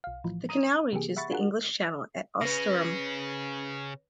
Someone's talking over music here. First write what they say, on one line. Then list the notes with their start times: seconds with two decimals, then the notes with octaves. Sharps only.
The canal reaches the English Channel at Ouistreham.
0.04 B1 F5
0.24 A2 E3 F3
0.49 A#5 D#6 D#7
0.92 C3 E3 A#3 G4 G#4
1.17 E5 F#5 B5 C#6 A6
1.31 D4 F4 F#4 G#4 A#4 F#5
2.41 C#3 C#4 B4 A#6